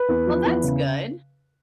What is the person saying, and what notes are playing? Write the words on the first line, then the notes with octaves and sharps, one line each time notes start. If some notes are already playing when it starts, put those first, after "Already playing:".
Well, that's good.
Already playing: B4
E2
F3
E2
C#3